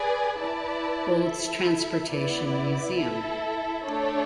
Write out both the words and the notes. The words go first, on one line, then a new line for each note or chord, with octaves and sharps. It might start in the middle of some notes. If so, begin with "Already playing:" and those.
Olds Transportation Museum.
Already playing: G#4 B4 D5 G#5
E4 B4 D5 A5
E4 A4 E5
B3 E4 B4 D5
E4 A4 E5
A3 D4 A4 C#5